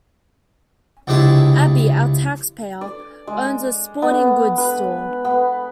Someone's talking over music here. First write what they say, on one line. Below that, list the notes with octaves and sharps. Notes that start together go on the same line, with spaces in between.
Abby, our taxpayer, owns a sporting goods store.
C#2 C3 G#3 D4 E4 A5
D5
G#3
B3
B4
B3